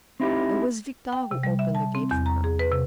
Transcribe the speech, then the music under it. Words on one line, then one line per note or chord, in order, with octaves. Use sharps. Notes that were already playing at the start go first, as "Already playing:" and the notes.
It was Victor who opened the gate for her.
C4 D#4 E4 G4
G5
C3
G3
E5
A5
C4
E2
A#5
G#4
B4
C3